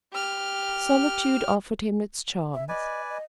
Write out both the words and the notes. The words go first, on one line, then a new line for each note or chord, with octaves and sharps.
Solitude offered him its charms.
G4 F6
E5
B4 D5 D#5 G#5
D#5